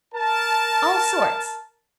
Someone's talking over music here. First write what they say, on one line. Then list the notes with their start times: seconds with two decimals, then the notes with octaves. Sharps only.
All sorts.
0.15 A#4 A5